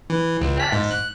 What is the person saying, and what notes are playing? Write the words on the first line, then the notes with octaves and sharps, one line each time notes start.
It does.
E3
C#2
B6
G#2
F#6